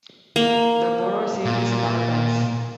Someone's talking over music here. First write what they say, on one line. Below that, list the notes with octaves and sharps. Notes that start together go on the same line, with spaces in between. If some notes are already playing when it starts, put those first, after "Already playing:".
The borough seat is Fairbanks.
A#3
A#2